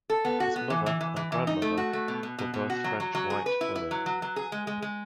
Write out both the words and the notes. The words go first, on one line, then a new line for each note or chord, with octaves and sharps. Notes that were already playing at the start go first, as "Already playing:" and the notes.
His mother and grandmother were both French "white" women.
A4
B3
F#4
B3
E3
E3
E3
E3
E3
D#4
A3
F#4
A3
B2
B2
B2
B2
F#4
F#3
F#3
F#3
G#4
B4
E4
E4
F#3
F#3
F#3
G#4
G#3
G#3
G#3